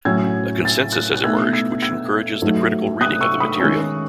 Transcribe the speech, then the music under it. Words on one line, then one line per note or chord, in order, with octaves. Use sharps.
A consensus has emerged which encourages the critical reading of the material.
A2 F#3 C#4 E6 G#6
A6
F#6 A6
F#6
B2 A3 D#4 E6 G#6
E6 G#6
E6 G#6
G#2 F#3 A3
D#6 F#6
C#6 E6
B5 D#6
D#3 G#3 C#4 C#6 E6